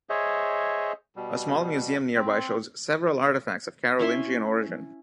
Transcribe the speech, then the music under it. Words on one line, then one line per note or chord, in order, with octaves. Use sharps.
A small museum nearby shows several artifacts of Carolingian origin.
G#4 C5 C#5 D#5 E5
B2 G3
C4
C#4 E4 E5 C6